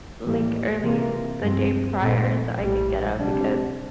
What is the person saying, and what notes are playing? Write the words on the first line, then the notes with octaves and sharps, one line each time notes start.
like, early the day prior so I can get up because
A2 E3 G3 A#3
C3 E3 A#3 F4 A#4
G2 F3 C4
A#1 A#2 A3 C4
A#1 A2 G3
C3 G3 D4